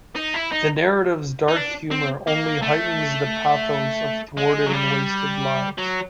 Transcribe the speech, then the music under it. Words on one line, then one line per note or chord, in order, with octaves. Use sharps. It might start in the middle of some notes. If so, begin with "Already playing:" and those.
The narrative's dark humor only heightens the pathos of thwarted and wasted lives.
D#4
E4
D#4
D#4
D4
C4
A#3
A3
G#3
F#3
G3
F#3